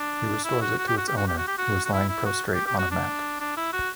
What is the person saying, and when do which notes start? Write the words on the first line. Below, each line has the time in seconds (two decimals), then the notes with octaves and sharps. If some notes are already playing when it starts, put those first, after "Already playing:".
He restores it to its owner, who is lying prostrate on a mat.
Already playing: D4
0.45 E4
0.61 F#4
0.78 F#4
0.88 G4
0.98 F#4
1.08 G4
1.17 F#4
1.28 G4
1.38 F#4
1.47 G4
1.58 F#4
1.85 F#4
1.93 E4
2.09 E4
2.25 F#4
2.54 G4
2.66 G4
2.79 F#4
2.91 D4
3.40 D4
3.57 E4
3.73 F#4